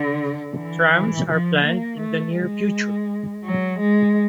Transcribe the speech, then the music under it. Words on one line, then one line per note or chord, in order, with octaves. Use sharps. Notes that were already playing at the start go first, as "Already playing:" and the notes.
Trams are planned in the near future.
Already playing: D3
E3
F3
A#3
A3
G#3
F#3
G#3